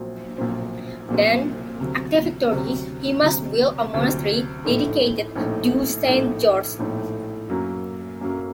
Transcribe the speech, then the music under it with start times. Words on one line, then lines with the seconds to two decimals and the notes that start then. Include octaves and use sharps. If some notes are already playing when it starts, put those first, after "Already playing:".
Then, after victory, he must build a monastery dedicated to Saint George.
Already playing: A#1 A#2 F#3 C4
0.38 A#1 A#2 F#3 C4
1.08 A#1 A#2 F#3 C4
1.81 D2 C3 F#3
2.52 D2 C3 F#3
3.22 D2 C3 F#3
3.94 D2 C3 F#3
4.65 A#1 A2 A3 D#4
5.36 A#1 A2 A3 D#4
6.07 A#1 A2 A3 D#4
6.79 A#1 A2 A3 D#4
7.50 F#2 F#3 A#3
8.21 F#2 F#3 A#3